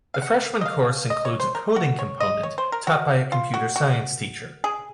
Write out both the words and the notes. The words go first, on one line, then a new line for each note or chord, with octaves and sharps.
The freshman course includes a coding component taught by a computer science teacher.
F5
F#5
D#5
F5
D#5
C#5
C5
A#4
F#4
C#5
D#5
C#5
C5
A#4
F#4
F4
F#4
F#4
G#4